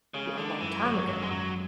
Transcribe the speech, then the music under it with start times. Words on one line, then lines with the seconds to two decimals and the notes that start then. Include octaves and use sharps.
a long time ago,
0.14 C#3 G#3
0.37 D3 G#3
0.61 F#2 E3
0.84 G#1 F#3
1.07 F#2 F#3
1.22 G#3
1.30 F#2 F#3